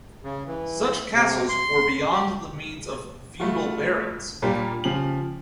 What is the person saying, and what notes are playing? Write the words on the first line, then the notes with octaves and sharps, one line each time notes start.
Such castles were beyond the means of feudal barons.
C#3
E3
C3
C6
G4
G3 A3 F4 F#4
A#2 G3 A#3 D4 F4 G4
C#3 F3 G4 F#7